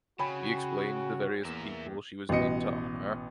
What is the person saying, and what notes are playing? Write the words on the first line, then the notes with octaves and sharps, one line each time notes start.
He explains the various people she was named to honor.
C#3 F#4 C#5 G5 G#5 B5
E2 A#3 A#4 E5
A1 B2 D#5 C#7